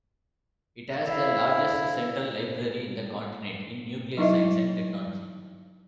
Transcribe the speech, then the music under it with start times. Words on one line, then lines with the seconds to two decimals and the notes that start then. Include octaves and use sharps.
It has the largest central library in the continent in Nuclear science and technology.
1.06 E4 C5 E5 F5
4.17 F#3 D#4 E4 D#5 E5